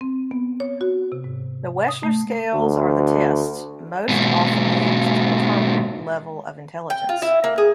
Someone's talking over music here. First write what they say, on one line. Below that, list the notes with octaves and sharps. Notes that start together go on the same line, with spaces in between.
The Wechsler Scales are the tests most often used to determine level of intelligence.
C4
B3
C#5
F#4
C3
G#2
D#6
A3
D2
G#2 B2
G5
F4
E4
A#3
G#4